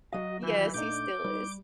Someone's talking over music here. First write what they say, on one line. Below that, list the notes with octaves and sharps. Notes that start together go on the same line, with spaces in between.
Yes, he still is.
F#3 F#4 D#5 F5
D#3 E3 F4 G6
A#2 A3 D4 D#4 D6 G6
G3 D#4